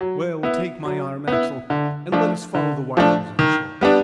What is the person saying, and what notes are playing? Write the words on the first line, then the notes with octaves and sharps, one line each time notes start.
"Well, take my arm, Axel, and let us follow the windings of the shore."
F#3
B3 E4
F#3
B3 E4
D3
F3 A3 D4
D3
F3 A3 D4
D#3
G3 B3 D4